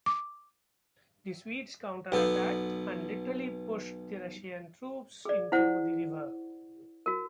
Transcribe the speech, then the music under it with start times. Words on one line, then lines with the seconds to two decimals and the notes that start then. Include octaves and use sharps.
The Swedes counter-attacked and literally pushed the Russian troops into the river.
0.06 D6
2.12 B1 B3 A4
5.25 G#4 D5
5.52 E4 C5 F#5
7.06 F#4 A#4